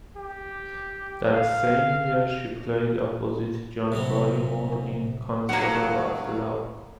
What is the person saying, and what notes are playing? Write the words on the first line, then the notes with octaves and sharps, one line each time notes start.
That same year she played opposite John Barrymore in "Counsellor at Law".
G4
F5
C3 F#3 B3 C#4
G2 F#3 A#3 F#5